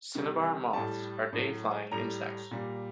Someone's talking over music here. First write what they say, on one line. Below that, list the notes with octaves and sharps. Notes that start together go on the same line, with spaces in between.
Cinnabar moths are day-flying insects.
C3 D#3 G3
A2 G3 A5
A2 F#3
A2 G3 A#5
A#2 G3